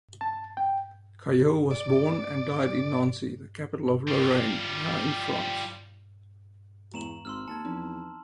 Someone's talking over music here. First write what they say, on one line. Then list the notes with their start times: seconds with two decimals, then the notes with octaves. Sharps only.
Callot was born and died in Nancy, the capital of Lorraine, now in France.
0.21 A5
0.57 G5
1.71 D5
4.08 G3 F4
6.94 E2 G#3 A#5 E7 F#7
7.25 G#1 C6 E6 F6
7.48 D#2 A5 G#6 A6 C#7
7.65 E2 F3 C4 D#4